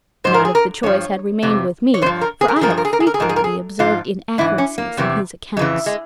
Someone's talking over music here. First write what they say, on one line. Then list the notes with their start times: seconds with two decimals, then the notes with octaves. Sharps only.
"Not if the choice had remained with me, for I had frequently observed inaccuracies in his accounts."
0.24 G#2 F3 C5
0.34 A#4
0.45 G#4
0.55 A#4
0.83 G2 F3 C#5
1.42 F2 C3 E3
1.94 C#5
2.02 G2 C5
2.06 F3
2.21 A#4
2.41 G#4
2.48 A#4
2.56 G#4
2.61 G2 F3 A#4
2.70 G#4
2.78 A#4
2.85 G#4
2.93 A#4
3.00 G#4
3.07 A#4
3.14 G#4
3.20 G#2 F3 A#4
3.29 G#4
3.36 A#4
3.44 G#4
3.79 G#2 F3 F4
4.38 G#2 E3 E4
4.58 C#4
4.78 A#3
4.97 E2 C3 E3
5.57 F2 C#3 E3 G#3
5.86 G#3